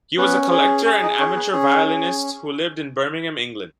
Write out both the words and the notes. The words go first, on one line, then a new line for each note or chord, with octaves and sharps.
He was a collector and amateur violinist who lived in Birmingham, England.
B3 C#4 B4
G#4
C#4 G#4 C#5
D#4 D#5
C#4 C#5
B3 B4
C#4 G#4
G#4